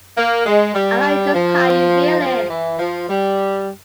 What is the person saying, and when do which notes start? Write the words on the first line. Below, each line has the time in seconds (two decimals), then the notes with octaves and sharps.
I know just how you're feeling.
0.17 A#3
0.46 G#3
0.75 G3
1.34 F3
2.20 F3
2.50 E3
2.79 F3
3.08 G3